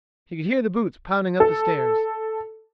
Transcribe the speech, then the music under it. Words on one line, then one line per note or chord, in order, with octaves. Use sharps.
He could hear the boots pounding up the stairs.
A4